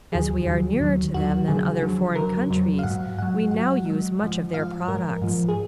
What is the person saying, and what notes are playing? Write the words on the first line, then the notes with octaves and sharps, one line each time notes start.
As we are nearer to them than other foreign countries we now use much of their products.
D#2 D#3 F#3 G#4
D#2 D#3 F#3
D#2 D#3 F#3
D#2 D#3 F#3 F#4
F2 D3 F#3 G#4
F2 D3 F#3
F2 D3 F#3 A#4
F2 D3 F#3
F5
G#2 F#3 F#5
G#2 F#3 F#5
G#2 F#3 F#5
G#2 F#3
G#2 F3
G#2 F3 F5
G#2 F3 A#4
G#2 F3
G#4